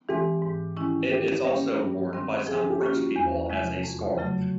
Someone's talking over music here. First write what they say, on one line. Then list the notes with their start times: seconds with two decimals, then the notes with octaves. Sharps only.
It is also worn by some French people as a scarf.
0.09 E3 G#3 C4 G4
0.42 G#2
0.77 D#3 G#3 C#4 E4
1.11 D#3 G4
1.45 G3 A#3 C#4
1.79 G2
2.13 D#3 G3 C4
2.47 F3 G#4
2.70 G4
2.81 A#3 C#4 F4
2.93 F#4
3.16 E2
3.50 C3 F3 G#3
3.84 F2
4.18 C#3 F#3 A3